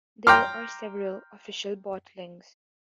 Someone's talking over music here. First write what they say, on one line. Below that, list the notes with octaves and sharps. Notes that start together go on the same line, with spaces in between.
There are several official bottlings.
G5 A#5 C6 D6 F6